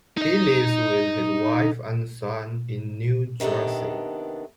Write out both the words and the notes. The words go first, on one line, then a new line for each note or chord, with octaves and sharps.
He lives with his wife and son in New Jersey.
D#4 D#5
C3 D#3 B3 D4 A4